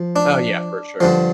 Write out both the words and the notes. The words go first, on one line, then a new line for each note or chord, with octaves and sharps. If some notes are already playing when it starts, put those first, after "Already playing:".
Oh yeah, for sure.
Already playing: F3
D4
G2 D3 F3